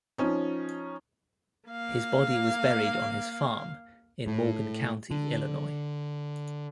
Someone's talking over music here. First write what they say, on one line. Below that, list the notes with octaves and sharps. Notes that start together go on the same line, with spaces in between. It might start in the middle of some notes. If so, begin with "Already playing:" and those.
His body was buried on his farm in Morgan County, Illinois.
F3 C#4 D#4
A#3 F5
A2
D3